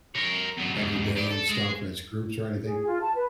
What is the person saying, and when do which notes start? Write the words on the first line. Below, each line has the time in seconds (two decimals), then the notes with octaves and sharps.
every day and stuff as groups or anything?
0.15 A#4 C#5
0.58 E2 F#3
0.75 E2 G#2
1.15 G2 D5
1.30 A4
1.49 G#3
2.64 G#4
2.87 F4
3.01 A5
3.15 B4